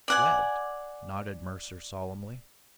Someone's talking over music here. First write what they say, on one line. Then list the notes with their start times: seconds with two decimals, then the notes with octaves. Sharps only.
"Webbed," nodded Mercer solemnly.
0.08 D5 F#5 G#5